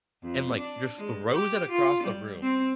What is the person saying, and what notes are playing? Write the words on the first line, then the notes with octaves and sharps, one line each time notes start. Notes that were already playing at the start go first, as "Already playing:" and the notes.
and, like, just throws it across the room,
F2
D4
G#3
G4
F4
G3
C4